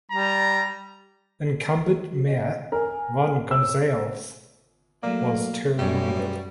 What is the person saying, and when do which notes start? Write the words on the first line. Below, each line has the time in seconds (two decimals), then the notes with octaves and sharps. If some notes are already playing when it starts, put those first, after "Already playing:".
Incumbent mayor Ron Gonzales was term limited.
0.11 G3 A#5
2.10 F#4
2.26 D#5
2.72 A#4 G#5
3.51 C#5 E6
5.03 F#3 A3 A#3 D5
5.78 F#2 G3 A3 C#4